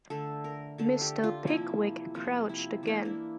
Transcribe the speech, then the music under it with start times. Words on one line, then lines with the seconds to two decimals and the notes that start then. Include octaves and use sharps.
Mr. Pickwick crouched again.
0.10 D3 A3 A4
0.44 A#4
0.78 D3 A3 A4
1.01 G4
1.24 F4
1.47 C3 F3 A#3 E4
2.15 C3 F3 A#3 F4
2.49 E4
2.83 E3 A#3 D4
3.05 E4